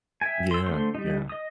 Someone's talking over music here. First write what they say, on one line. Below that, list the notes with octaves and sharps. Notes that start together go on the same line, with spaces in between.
Yeah. Yeah.
E5 G5 G#5
C6 E6
D3 A3 C5 C6
G3 D#4
D#5 D#6